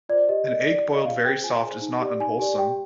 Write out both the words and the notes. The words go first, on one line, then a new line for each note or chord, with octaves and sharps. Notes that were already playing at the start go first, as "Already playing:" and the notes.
An egg boiled very soft is not unwholesome.
F4 C5 D5
G4 D#5
D5 D#5
G4 D5
D5
D#5
F4 F5
G#4 C5 G5
F4 G#5
G#4 C5
D#4
G4 D5
D#4 G#5
G4 D5 G#5
G4 G5